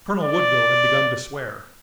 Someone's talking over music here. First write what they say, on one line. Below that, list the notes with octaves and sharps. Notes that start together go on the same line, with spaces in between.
Colonel Woodville had begun to swear.
D5